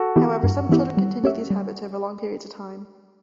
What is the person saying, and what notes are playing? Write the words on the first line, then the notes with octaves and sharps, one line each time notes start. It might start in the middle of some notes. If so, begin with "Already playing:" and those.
However, some children continue these habits over long periods of time.
Already playing: F#4 A4
E3 B3 E4 G4
G2
E3 B3 E4 G4
G3
C#4 G4 C#5 E5
G3